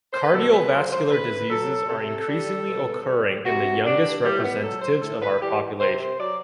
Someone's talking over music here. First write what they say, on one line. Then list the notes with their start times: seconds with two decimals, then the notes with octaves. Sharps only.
Cardiovascular diseases are increasingly occurring in the youngest representatives of our population.
0.12 C5
0.23 B4
0.33 B2 A4
0.52 B4
0.72 F#3 C5
0.92 C5
1.11 C3 B4
1.50 F#3 A4
1.89 C3 A4
2.28 G3
2.67 B2
3.06 G3
3.45 C3 F#4
3.84 G3 D4
4.23 A2 G3
4.39 A3
4.43 B3
4.63 F#3 A4
4.82 C5
5.01 A2 A4
5.21 B4
5.41 E3 G3 G4
5.80 C3 C5
5.99 C5
6.19 F#3 D5